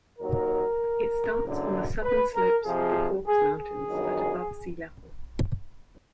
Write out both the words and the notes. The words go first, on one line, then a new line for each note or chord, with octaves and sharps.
It starts on the southern slopes of the Caucasus Mountains at above sea level.
D#2 D#3 F#3 A#4
F#1 F#2 D3
B4
A#4
F2 C3 F3 G#4
G#4
G#4
G1 F#2 D#3 F#3